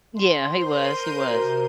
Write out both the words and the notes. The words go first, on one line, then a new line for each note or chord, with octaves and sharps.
Yeah, he was, he was.
C6
A#4 C5 G6 D#7
C3 F#4 A#4 A#5